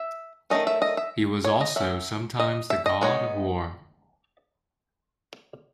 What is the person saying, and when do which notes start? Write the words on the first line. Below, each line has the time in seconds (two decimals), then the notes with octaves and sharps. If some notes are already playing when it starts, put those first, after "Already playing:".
He was also sometimes the god of war.
Already playing: E5
0.50 D#3 A3 C#4 D#5
0.67 E5
0.82 D#5
0.97 E5
1.44 C#5
1.61 D#5
1.76 F#3 C#4 E5
2.39 D#5
2.70 E5
2.86 D#5
3.01 G#3 B3 D#4 C#5